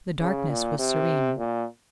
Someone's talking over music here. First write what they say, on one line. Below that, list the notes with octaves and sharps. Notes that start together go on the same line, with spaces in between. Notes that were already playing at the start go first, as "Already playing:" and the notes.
The darkness was serene.
C#3
A#2
C3
A#2